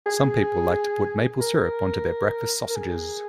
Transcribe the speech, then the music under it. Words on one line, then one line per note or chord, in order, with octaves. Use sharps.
Some people like to put maple syrup onto their breakfast sausages.
G#4
A#4
A#4
G#4